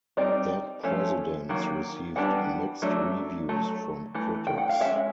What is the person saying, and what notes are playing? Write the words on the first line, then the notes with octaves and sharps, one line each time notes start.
"Dead Presidents" received mixed reviews from critics.
G3 C4 D#4 D5
F3 A3 C#4
D#3 F#3 A#3
E3 G3 B3 D4 F#5
F#3 A3 D4
F#3 A3
E3 A3
G5
F#5
F5
G#3 C#4 E5